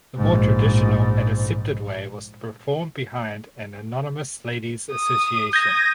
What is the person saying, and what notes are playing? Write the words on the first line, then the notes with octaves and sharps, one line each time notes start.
The more traditional and accepted way was to perform behind an anonymous lady’s association.
A#1 G#2
D#6
D#6 G6 G#6 A#6